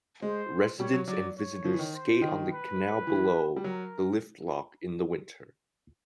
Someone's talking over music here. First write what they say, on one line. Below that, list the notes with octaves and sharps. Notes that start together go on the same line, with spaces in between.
Residents and visitors skate on the canal below the lift lock in the winter.
G#3 C5
G3 C#5
F#3
F#3 D5
C#5
F3
E3
D#3
C5
D#3
B4
E3
G3
F#3 A#4